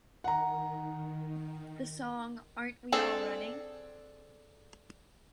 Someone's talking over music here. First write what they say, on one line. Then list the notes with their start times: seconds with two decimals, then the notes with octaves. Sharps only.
The song Aren't We All Running?
0.24 D#3 F#5 A#5
2.92 C4 D4 G#4 A4